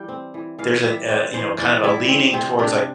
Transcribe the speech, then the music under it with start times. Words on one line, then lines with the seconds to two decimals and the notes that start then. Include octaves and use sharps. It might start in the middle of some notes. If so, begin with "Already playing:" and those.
there's a a, you know, kind of a leaning towards, like
Already playing: E3 G3 G5
0.09 C4
0.34 E3
0.59 E3 F5
0.84 G3 E5
1.09 C4 D5
1.34 E3 C5
1.58 E3 D5
1.83 G3 E4
2.08 C4
2.34 C3 C4
2.59 C3 D4